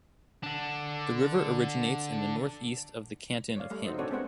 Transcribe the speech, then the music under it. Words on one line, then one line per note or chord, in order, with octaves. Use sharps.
The river originates in the northeast of the canton of Hind.
D3 D4
C#5 D5 F5
G3 A3 F5
D#4 F#4 C5 D#5
C4 D4 A4 C#5 D5 F#5
G#3 B3 C4 C5 C#5 F#5